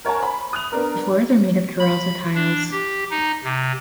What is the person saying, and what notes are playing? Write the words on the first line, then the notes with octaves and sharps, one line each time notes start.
The floors are made of terrazzo tiles.
A#4 C#5 F#5 G#5 A5
C5 B5
D#6 F#6 F7
B3 D4 A#4
B5
D4
G4
D#4
C3